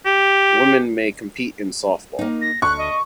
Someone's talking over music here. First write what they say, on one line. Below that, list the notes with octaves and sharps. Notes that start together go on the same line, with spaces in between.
Women may compete in softball.
G4
A#3 D#4
A#6
D2 C#6 F#6
D#5